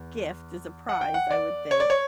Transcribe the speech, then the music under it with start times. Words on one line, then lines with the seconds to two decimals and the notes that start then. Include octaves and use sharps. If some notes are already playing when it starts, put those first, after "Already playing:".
gift, is a prize, I would think,
Already playing: E2
0.89 F#5
1.01 G5
1.14 F#5
1.31 D5
1.71 C#5
1.80 D5
1.90 C#5